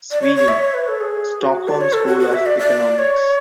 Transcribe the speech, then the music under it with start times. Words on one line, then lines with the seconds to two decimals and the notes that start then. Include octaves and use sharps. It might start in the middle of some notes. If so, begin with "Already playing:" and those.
Sweden: Stockholm School of Economics.
0.11 D5
0.21 C#5
0.35 C#5
0.48 E5
0.61 C#5
0.74 B4
0.88 A4
1.00 G#4
1.41 F#4
1.68 D5
1.81 C#5
1.93 A4
2.07 F#4
2.19 F#4
2.33 E5
2.46 D5
2.59 D5
2.99 C#5